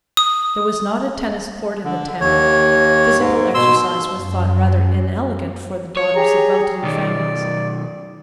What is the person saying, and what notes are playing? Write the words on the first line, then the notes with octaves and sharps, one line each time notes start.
There was not a tennis court in the town; physical exercise was thought rather inelegant for the daughters of well-to-do families.
D#6
D3
D#2 C#5
G#2
B2 C6 E6
F#2
C#5
G4 G#4 A#5
B1 D#3 D5